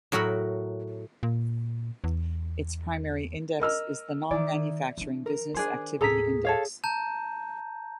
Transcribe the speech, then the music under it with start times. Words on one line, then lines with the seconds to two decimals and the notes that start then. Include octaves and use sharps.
Its primary index is the Non-Manufacturing Business Activity Index.
0.12 A2 F#3 F#4 A#4 B5
1.23 A#2
2.04 E2
3.60 A#4 D#5 E6 F6
4.31 D#3 E4 D5
4.98 E3 D4
5.26 A#4
5.54 D#3 D4 G#4 C5
6.01 D#2 A2 G#4 A4 A#5 B6
6.45 A4 C#5 F5
6.84 A5 A#5 G6